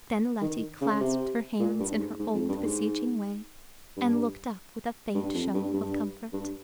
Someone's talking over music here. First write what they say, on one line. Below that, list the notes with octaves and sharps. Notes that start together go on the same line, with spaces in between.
Then Letty clasped her hands in her old, beseeching way, and looked up with a faint show of comfort.
D#3
C#3
C3
A#2
G2
G#2
G#2
F2
G2
G#2
G2
G2
F2
G2
G2
G2